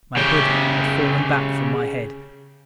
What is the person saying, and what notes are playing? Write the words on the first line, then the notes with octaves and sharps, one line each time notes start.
My hood had fallen back from my head.
C#3 G4